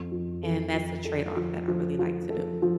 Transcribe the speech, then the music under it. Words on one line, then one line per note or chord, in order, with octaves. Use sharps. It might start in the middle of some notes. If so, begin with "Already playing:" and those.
and that's a trade off that I really like to do.
Already playing: F2
F3
A4
F3
A4
F3
F3
F3
A4
F3